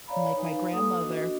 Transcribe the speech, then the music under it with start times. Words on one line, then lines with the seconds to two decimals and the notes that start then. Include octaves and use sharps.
my my grandmother
0.08 C#5 D5 F5 A#5 B5
0.36 D#4 B4 F5 G#5
0.72 A#3 A4 D#6
1.01 D4 F#4 D#5